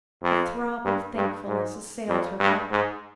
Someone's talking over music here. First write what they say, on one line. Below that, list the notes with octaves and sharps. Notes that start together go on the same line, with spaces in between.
A throb of thankfulness assailed her heart.
F2
G2
G2
G#2
F2
G2
G#2